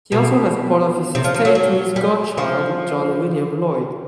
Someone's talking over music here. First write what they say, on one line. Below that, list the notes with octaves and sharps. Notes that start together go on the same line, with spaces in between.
He also left part of his estate to his godchild John William Lloyd.
B2
C3
F3
F3
F#3
F#3
G3
F3